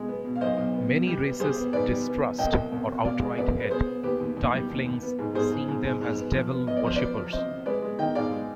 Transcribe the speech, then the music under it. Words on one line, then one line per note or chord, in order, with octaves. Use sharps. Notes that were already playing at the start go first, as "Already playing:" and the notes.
Many races distrust or outright hate Tieflings seeing them as devil worshippers.
Already playing: B2 G#3
B3
B2
F5
B1 C5 D#5
B1
B3
B2
G3
B3
G3 G#4 C5
B3
G#2 B4 D5
G3
B3
B3
C2 D#5 G5
C2
C2
B2
B2 D5 F5
G#3
C2 B4 D5
B2
B4
B3 G#4 C5
B3
D#2 G4 B4
D#2
D#2
G3
D#2
D#2
B3
G#2
G#2 G#4 C5
G#2
G#2
G#2
G#2
B3
F3
B3
B3 D#5
D5
F3 C5
B3 B4 D5
F3
C3 C5 D#5
C3
G#3 B4 D5
G#3
D#3 D#5 G5
G#2 D5 F5
G#3